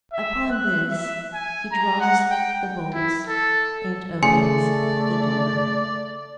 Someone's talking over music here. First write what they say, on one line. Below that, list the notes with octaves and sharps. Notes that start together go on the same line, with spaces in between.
Upon this he draws the bolts and opens the door.
E5
F#6
E5
G#5
A#5
F#5
G5
E4
A4
C#3 A3 G#4 D5 G#5 C6 C#7